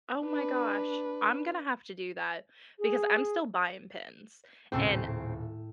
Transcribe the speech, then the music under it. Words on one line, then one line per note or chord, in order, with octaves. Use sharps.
Oh my gosh. I'm gonna have to do that because I'm still buying pins and
D4 B4
G#4
D#1 A2 C#3 A3 C4 E6